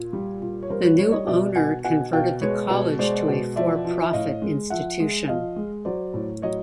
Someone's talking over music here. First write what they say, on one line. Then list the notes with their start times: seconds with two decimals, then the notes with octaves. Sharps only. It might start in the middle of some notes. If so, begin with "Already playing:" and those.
The new owner converted the college to a for-profit institution.
Already playing: A#2
0.13 G3
0.42 A#2
0.63 C#5
0.70 G3 A#4 C5
0.84 B4 C#5
0.98 G3 B4 C#5
1.08 D5
1.12 C#5 D#5
1.27 B2 D5 E5
1.56 B2 F#5 G#5
1.84 B2 F#5 G#5
2.13 B2 F5 G5
2.41 G#3 B4 C#5
2.70 B2
2.99 G#3 C5 D5
3.28 B2
3.56 F3 D5 E5
3.84 F3
4.02 E5
4.13 A2 D#5 F5
4.42 G#3
4.70 F3 E5 F#5
5.00 G#3
5.28 F3 D#5 F5
5.56 G#3
5.85 F#3 C5 D5
6.14 A2
6.42 F#3 C#5 D#5